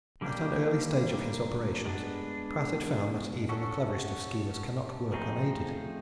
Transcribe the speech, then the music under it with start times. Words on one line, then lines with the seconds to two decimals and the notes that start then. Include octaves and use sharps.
At an early stage of his operations, Pratt had found that even the cleverest of schemers cannot work unaided.
0.21 D3 G3 A#3 D4 G4
1.85 G#3 B3 D4
3.49 C#4 F#4 A4
5.13 F3 A3 C4 D#4 G#4